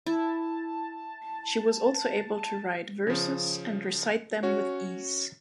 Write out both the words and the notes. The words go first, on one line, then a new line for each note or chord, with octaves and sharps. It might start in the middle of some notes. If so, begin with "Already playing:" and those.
She was also able to write verses and recite them with ease.
E4 A5
C#3 F3
C#4 F#4 C#5